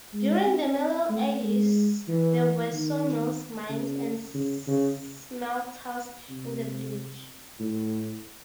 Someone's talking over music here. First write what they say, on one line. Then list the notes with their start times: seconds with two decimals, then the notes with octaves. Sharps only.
During the Middle Ages there were sawmills, mines and smelters in the village.
0.13 G#3
0.45 C4
0.77 C4
1.09 A3
1.43 G#3
2.08 E3
2.72 D#3
3.69 C#3
4.34 C#3
4.67 C#3
6.30 C3
7.59 A2